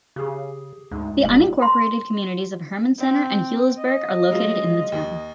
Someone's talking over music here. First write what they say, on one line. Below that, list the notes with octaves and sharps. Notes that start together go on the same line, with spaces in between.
The unincorporated communities of Herman Center and Huilsburg are located in the town.
C#3 G4 G#4
D2 G#2
E1 C2 A#2 F#7
C6
C4
D#5
F#3 G#3 F4
D#2